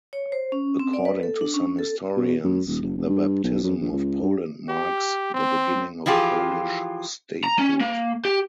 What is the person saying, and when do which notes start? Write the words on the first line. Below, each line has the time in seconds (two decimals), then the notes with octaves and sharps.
According to some historians the baptism of Poland marks the beginning of Polish statehood.
0.13 C#5
0.32 C5
0.52 C#4
0.79 C4
0.93 D5
1.05 B4
1.23 A4
1.41 D4
1.54 C#4
1.79 A4
2.16 B2
2.44 F#2
2.68 D#1
2.82 F#1
2.97 F1
3.09 G2
3.44 B1
3.63 F#2
3.81 A#1
3.92 C#2
4.22 G2
4.68 G4
5.34 C4
6.06 E3 F3 F4 G4 G#4
7.44 A#5
7.59 C#4
7.81 A#3
8.25 G4